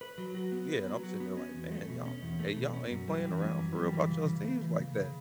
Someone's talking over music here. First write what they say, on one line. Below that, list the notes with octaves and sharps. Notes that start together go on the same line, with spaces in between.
Yeah, and I'm sitting there like, "Man, y'all hey, y'all ain't playing around for real about yall's teams like that."
B4
F#3
F#4
B3
B4
F#3
F#4
B3
C#4
E2
A3
B2
C#4
E2
A3
B2
C#4
F#2
G3
E3
C#4
F#2
G3
E3
C#3
C#3
A3
E3
C#3
C#3